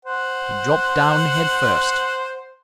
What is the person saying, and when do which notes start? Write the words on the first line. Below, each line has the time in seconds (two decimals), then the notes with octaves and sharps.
He dropped down head first.
0.05 C5 F#5